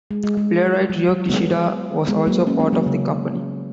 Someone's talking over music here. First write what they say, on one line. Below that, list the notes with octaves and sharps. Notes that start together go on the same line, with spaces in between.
Playwright Rio Kishida was also part of the company.
G#3
G#3
G#3
F#3
F#3
G#3 B3
G#3 B3
F#3 A#3
A#3 C#4
G#3 B3
F#3 A#3
C#3